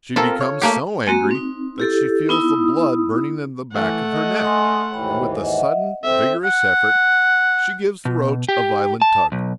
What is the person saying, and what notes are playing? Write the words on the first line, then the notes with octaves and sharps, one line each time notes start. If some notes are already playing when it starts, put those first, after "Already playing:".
She becomes so angry that she feels the blood burning in the back of her neck, and with a sudden vigorous effort, she gives the roach a violent tug.
C4 F4 A4 A#4
C#5
A3 A#3 G4
G#3 A#3 C4 F#4
C4 D#4
E4 G4 A4
B3 D#4 E4 D#6
E3 A3 F#5
D#5
G#5 C6
D#2 G#2 E3 C#5 G5 B5
D#5 E5 F#5
C4 A4 E5
F#5
B2
G4
A5
B1